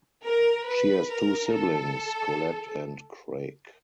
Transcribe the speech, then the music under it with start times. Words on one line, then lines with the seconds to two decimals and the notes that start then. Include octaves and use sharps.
She has two siblings, Colette and Craig.
0.24 A#4
0.67 B4
1.10 A#4
1.54 A4